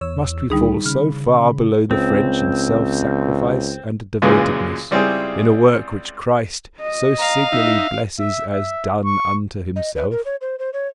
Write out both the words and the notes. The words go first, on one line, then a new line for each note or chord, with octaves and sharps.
Must we fall so far below the French in self-sacrifice and devotedness, in a work which Christ so signally blesses as done unto Himself?
E2 C#5 E6
C#2 D3 D#3 G3 D#4 G#4 B5
C#3 F6
C#2 C4
C#2 F#2 A#2 C#3 E3 G#3
C#2 G3 C4 E4 G#4
D#5
F5 A#5
D#4 E5
E5
E5
C#6
D#5
B4
A#4
C#5
C5
C5
C#5